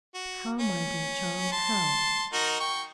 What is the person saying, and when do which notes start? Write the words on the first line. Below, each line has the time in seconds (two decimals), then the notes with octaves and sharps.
"How, my dear child, how?"
0.15 F#4
0.60 C#4
1.52 A5 C6
2.33 D#4 F#4 A#4
2.60 G5 C#6